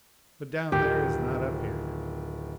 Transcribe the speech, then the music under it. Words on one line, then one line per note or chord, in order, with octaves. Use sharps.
But down there is not up here.
D1 D#3 F3 G4